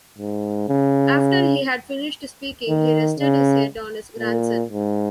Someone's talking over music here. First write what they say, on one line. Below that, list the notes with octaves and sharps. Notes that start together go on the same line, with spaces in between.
After he had finished speaking, he rested his head on his grandson.
G#2
C#3
D#3
C#3
A#2
G#2